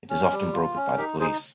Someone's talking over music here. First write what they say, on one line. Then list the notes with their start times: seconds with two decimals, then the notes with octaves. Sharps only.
It is often brokered by the police.
0.10 C#4
0.32 G3
0.53 F4
0.76 C#4
0.97 D#4 G4 A#4
1.19 D#4 G#4 C5